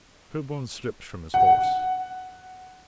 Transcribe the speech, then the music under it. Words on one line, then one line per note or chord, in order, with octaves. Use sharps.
Sherburne slipped from his horse.
F#5